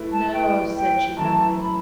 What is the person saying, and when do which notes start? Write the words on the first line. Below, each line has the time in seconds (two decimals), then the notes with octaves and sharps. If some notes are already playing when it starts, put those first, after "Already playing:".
'No!' said she, heavily.
Already playing: A3 E4 B4
0.14 A5
0.33 A3 E4 B4 G5
0.75 G5
1.17 F#2 E3 A3 A5
1.58 B5